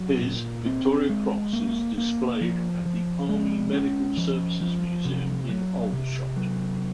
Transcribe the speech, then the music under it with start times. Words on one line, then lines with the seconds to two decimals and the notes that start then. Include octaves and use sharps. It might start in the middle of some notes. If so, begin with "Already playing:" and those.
His Victoria Cross is displayed at the Army Medical Services Museum in Aldershot.
Already playing: F#3
0.22 A#2
0.66 C4
1.09 G#3
1.53 A#3
1.98 A#3
2.41 F3
2.85 F3
3.29 G#3
3.73 C#4
4.17 F3
4.61 F3
5.05 C3
5.49 F#3
5.93 C3
6.36 F#3